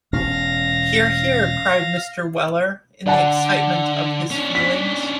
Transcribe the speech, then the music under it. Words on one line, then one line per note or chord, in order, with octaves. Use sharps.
Hear, hear!’ cried Mr. Weller, in the excitement of his feelings.
E1 C#4 F5 A#6
D3 D5 F#5 A5
C#4 D4
B6